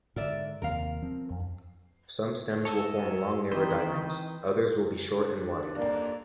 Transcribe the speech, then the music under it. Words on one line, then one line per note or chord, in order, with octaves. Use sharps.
Some stems will form long narrow diamonds; others will be short and wide.
G#2 D3 A#4 D5 E5
D#2 C3 A#4 F5
F3 C4
F2
A4 C#5 D#5 E5
D#3 E3 C4 B4 C5
D4
F2 G3 A#3